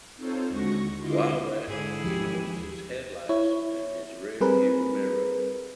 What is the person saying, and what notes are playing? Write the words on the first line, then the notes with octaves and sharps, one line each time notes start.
While there he notices headlights in his rear view mirror.
C4 D#4 F4 A4 C5 C#5
D#2 D3 G#3 F#4 C#6 A#6
D3 E4 F4 D#5 C6 D6
G#2 D3 G#3 E4 G#4
D#2 E3 F3 C#4 G4
E4 C#5
G3 C4 G#4 A#4 B4